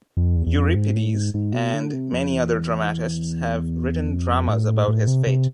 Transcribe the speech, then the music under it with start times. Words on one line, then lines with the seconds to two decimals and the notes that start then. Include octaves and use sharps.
Euripides and many other dramatists have written dramas about his fate.
0.17 F2
0.36 E2
0.47 E2
0.55 F2
0.75 G#2
0.94 A2
1.14 G#2
1.34 G#2
1.53 B2
1.74 D3
1.93 C3
2.13 F2
2.33 E2
4.09 F2
4.49 A2
4.88 A2
5.07 C3
5.27 C3